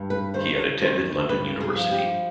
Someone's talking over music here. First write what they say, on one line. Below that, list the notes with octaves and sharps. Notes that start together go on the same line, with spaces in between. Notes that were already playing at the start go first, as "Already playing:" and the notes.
He had attended London University.
Already playing: G2
B4
D#3 C5
D#3 C5
G2 B4
G#4
F3
G4